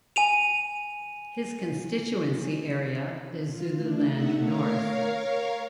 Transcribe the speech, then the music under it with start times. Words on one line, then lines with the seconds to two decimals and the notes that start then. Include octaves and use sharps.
His constituency area is Zululand North.
0.16 G#5 D#7 F7
3.46 F4
3.77 A3 D4
4.07 D#4 E5 F#5
4.36 A#4 C#5 F5